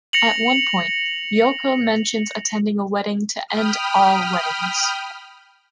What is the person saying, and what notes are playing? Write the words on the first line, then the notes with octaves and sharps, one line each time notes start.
At one point Ryoko mentions attending a "wedding-to-end-all-weddings".
A#6 C#7 F7 F#7
G5 B5 D#6 F6